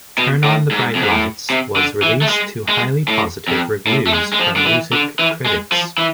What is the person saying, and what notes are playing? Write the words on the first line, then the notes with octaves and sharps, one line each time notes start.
"Turn on the Bright Lights" was released to highly positive reviews from music critics.
B2
A2
G#2
F2
G#2
A2
C3
D3
E3
A3
G#3
G#3
A2
F2
A2
A3
G#3
G#3
F3
D3
E3
D3
E3
G#3
F3
E3